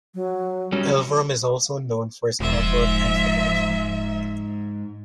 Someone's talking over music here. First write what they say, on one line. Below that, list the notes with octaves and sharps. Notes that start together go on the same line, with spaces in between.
Elverum is also known for his artwork and photography.
F#3
F#3 G3 C#4
E1 G#2 F3 C5 E5